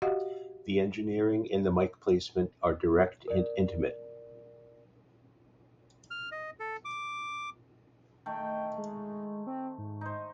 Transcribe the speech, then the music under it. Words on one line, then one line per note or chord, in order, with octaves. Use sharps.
The engineering and the mike placement are direct and intimate.
F#4 G4 D#5 F5 F#5
A#4 D5
F6
D#5
A4
D6
D#3 A3 G5
G#3
C4
G#2
D#4 C5